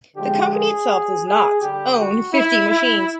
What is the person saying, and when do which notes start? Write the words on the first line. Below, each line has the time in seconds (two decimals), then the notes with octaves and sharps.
The company itself does "not" own fifty machines.
0.16 D3 F3 G#3 G4
0.52 G#4
1.26 G#4
1.61 D3 G3 G4
1.98 F#4
2.34 E4
2.70 E4